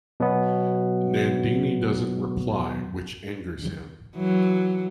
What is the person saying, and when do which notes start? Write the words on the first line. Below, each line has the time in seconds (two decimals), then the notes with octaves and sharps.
Nandini doesn't reply which angers him.
0.20 B2 F#3 B3
4.16 E3 F#3